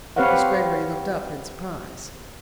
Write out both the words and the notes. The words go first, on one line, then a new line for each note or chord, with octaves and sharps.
Miss Greggory looked up in surprise.
C4 G4 B4 C#5 F5 F#5